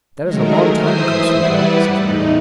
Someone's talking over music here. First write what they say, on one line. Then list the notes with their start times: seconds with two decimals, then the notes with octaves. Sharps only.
"That is a long time ago, sweetheart," says Wendy.
0.22 D#3 F#3 G#3 A3 A#4
0.70 E3 C5 E5 D#6 C7
1.34 G3 E4 B4 D5 F#5
1.92 E2 A2 D#4